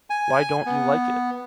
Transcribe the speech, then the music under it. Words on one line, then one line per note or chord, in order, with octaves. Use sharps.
Why don’t you like it?
G#5
B3